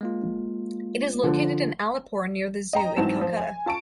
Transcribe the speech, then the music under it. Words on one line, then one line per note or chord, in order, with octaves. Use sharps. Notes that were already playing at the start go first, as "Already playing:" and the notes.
It is located in Alipore, near the zoo, in Calcutta.
G#3 A#3 F4
D3 F3
D#5 G5 A#5
G#2 E3 F#3 C4 A5 E7
F3
G#5
F4 A5 C#6 D7